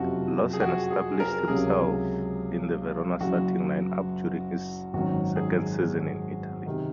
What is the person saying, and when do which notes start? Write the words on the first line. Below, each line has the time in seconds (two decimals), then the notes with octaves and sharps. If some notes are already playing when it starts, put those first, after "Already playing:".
Laursen established himself in the Verona starting lineup during his second season in Italy.
Already playing: F#1 F2 C3 F3 F#4
0.53 G#4
0.61 F#4
0.90 G#4
1.14 G#4
1.20 A#4
1.48 C#2 C3 F#3 G#4
3.21 F#1 F#2 C#3 F#4
4.93 G#1 F#2 D#3 F#3 F#4
5.36 G#4
6.66 C3 D#3